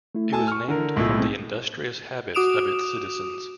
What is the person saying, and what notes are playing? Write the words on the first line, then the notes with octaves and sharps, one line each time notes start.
It was named from the industrious habits of its citizens.
A3 E4
A4 G#5 A5
C#6 F6
D3 E4 A#4
B1 A2 G#3 E4 F4
G#3 A3 C4
F#4 D6 D#6 D7 E7 F7